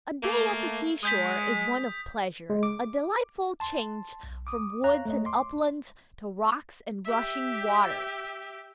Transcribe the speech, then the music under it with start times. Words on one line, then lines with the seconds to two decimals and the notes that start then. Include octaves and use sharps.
A day at the seashore is one of pleasure, a delightful change from woods and uplands to rocks and rushing waters.
0.22 A3 A#3
1.03 G#3 D#6 G6 B6
2.50 G#3
2.63 D6
3.60 A5 C6
4.23 B1
4.47 D6 D#6
4.84 C#5 F5 A#5 F#6
5.05 A3 C#5 D#5
5.26 C6 D6
7.05 G4 E5